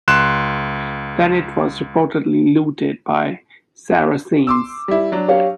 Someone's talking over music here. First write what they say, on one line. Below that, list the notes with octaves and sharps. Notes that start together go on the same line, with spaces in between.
Then it was reportedly looted by Saracens.
C#2 C6 F#6 E7
C6 D6 E6
G3 E4
F#3 D4
G4 C#5 F5